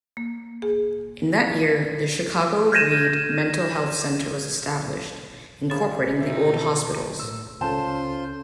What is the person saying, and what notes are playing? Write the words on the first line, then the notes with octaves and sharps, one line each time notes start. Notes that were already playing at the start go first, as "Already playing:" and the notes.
In that year, the Chicago-Read Mental Health Center was established, incorporating the old hospitals.
A#3
G#4
F6 G6 G#6 A#6 D#7 E7
C2 D#3 A#3 G#4 C#5
B2 E3 D#4 F4 E5
A4
A2 E6
C#2 C#4 F4 A4 C5 A5 C6